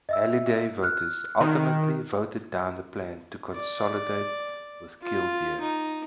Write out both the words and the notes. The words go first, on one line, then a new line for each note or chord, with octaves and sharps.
Halliday voters ultimately voted down the plan to consolidate with Killdeer.
D#5 E5 E6
F6 F#6
D#3
D5
F4
D#4